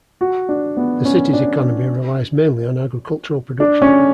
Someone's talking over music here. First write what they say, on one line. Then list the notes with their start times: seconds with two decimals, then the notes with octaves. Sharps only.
The City's economy relies mainly on agricultural production.
0.21 F#4
0.49 D4
0.77 B3
1.05 C#4
1.33 D4
3.60 D4
3.82 C#4